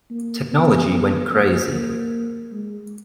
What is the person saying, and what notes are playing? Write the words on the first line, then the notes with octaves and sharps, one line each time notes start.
Technology went crazy.
A#3
B3
B3
A#3
A#3
G#3